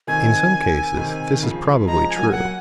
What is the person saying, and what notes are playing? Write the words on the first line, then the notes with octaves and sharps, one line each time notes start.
In some cases this is probably true.
C3 D#3 G#5
C3 D#3
D#3
C#3 F3
F3 G#3 A#5
G#5
F#3 A#3
F#5